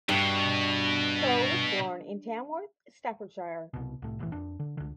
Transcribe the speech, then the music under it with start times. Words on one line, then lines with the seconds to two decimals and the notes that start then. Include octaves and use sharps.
Coe was born in Tamworth, Staffordshire.
0.09 G2 B2
3.74 C2 B2
4.02 C2 A2
4.19 F#1 C2 A2 E3
4.32 F2 D4
4.60 D3
4.77 C#2 D3